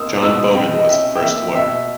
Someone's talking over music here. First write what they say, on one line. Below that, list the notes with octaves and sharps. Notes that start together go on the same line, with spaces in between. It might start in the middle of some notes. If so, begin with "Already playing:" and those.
John Bowman was the first lawyer.
Already playing: B2 A#3 D#6 E6
B2 E6
D#6
B2 G5
D#5
C#4 E5
G5
A#3 E5
B2 E5